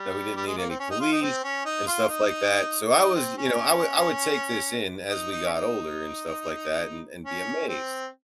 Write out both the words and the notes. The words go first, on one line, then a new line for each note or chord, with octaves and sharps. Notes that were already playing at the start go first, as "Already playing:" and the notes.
that we didn't need any police and stuff like that, so, I was, y you know, I would I would take this in as we got older and stuff like that and and be amazed.
Already playing: G3
G3
G#3
A#3
C4
C#4
D#4
F4
D#4
C4
C#4
D#4
F4
D#4
D#4
C4
C#4
D#4
D#4
C#4
D#4
C#4
C4